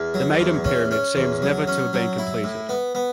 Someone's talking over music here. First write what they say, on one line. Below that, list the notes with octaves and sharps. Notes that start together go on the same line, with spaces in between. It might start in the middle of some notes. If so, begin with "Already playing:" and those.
The Meidum Pyramid seems never to have been completed.
Already playing: E2
F#3
E2
C#4
C#4
E2
F#3
C#4
F#3
E4
A2
B3
B3